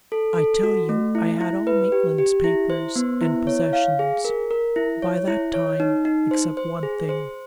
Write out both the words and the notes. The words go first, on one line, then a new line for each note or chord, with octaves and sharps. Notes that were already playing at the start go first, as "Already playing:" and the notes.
I tell you I had all Maitland's papers and possessions, by that time--except one thing.
A4
A4
F#4
A3
E4
E4
B4
G4
G4
E4
C5
B3
E4
C#5
F5
G#4
A#4
A#4
E4
C#5
E4
C#5
D#4
D#4
C5
C5
G#4
C5